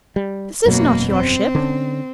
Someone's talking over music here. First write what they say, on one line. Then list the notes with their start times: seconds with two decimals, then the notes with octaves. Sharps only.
This is not your ship.
0.16 G3
0.66 E1 F#2 B2 F#3 A#3
1.11 C4
1.55 D3 C#4